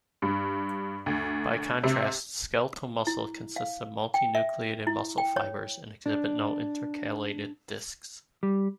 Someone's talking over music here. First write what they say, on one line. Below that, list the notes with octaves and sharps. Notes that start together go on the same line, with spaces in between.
By contrast, skeletal muscle consists of multinucleated muscle fibers and exhibit no intercalated discs.
G2
D2
C3
E4
F5
G5
E5
E4
G5
C#5
D4
G3